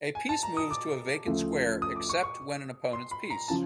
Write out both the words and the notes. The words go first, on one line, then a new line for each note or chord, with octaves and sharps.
A piece moves to a vacant square except when an opponent's piece.
G#5
A5
A#5
D#6
D6
D2 C#3 F3 A3
D#6
D6
C#6
C#6
C6
B5
A#5
C#3 F3 A5